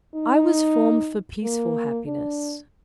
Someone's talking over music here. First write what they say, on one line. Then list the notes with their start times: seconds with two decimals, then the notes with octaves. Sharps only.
I was formed for peaceful happiness.
0.14 D#4
1.44 A#3
2.07 D4